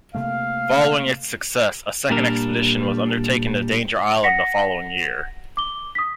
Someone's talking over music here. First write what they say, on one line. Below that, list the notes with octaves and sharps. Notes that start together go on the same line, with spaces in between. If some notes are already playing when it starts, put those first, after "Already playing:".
Following its success, a second expedition was undertaken to Danger Island the following year.
C3 A3 A#3 F5
A#2 G3 D4 A#4
F#5 A#6 B6 C#7
D6 G7
D#6 B6